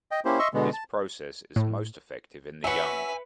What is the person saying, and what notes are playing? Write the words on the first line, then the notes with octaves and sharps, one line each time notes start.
This process is most effective in the young.
D#5 G5
A#3 C#4 E4 G4 C5
D#5 E5 C6 C#6 E6
B2 D3 G#3 B3
A5
A2
C#4 F#4 B4 E5 G#5 C#7